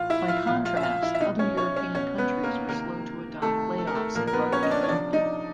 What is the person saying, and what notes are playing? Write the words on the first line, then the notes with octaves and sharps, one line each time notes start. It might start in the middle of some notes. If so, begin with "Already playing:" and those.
By contrast, other European countries were slow to adopt playoffs in rugby union.
Already playing: A2 E3 F4 F5
E4 E5
F4 F5
A#2 F3 F4 F5
F4 F5
E5
F4 F5
E4 E5
E5
B2 D#4 D#5
C#4 C#5
C#4 C#5
C#4 C#5
B2 C#4 C#5
B3 B4
A#3 A#4
C3 D#3 A#3 A#4
C3 D#3 A3 A4
A4
A#4
A3 A4
A#2 F3 A#3 A#4
A#4
B3 B4
C#4 C#5
D#5
D4 D5
C#5
C3 F3 D4 D5
D#4 D#5